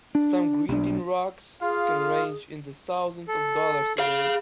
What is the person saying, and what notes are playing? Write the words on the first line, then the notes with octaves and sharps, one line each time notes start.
Some grinding rocks can range in the thousands of dollars today.
D4
B1 D#3 D4
F4 G#4 F5
A4
G#4 F5 F6